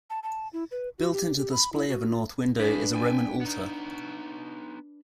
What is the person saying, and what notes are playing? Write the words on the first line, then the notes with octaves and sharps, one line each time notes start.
Built into the splay of a north window is a Roman altar.
A5
A5
E4
B4
F#4
G4
G4
B5
E4
F#4
F4
G2 D4 G#4 B4
G5 G#5
B3 D#4